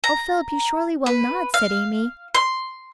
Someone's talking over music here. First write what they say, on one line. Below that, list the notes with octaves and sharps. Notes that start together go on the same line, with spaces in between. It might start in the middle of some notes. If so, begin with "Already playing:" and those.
'O Philip, you surely will not?' said Amy.
A#5
B4
F5
C6